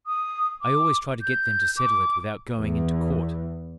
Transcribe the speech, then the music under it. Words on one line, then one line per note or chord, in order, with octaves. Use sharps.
I always try to get them to settle it without going into court.
D#6
D6
G6
D6
E2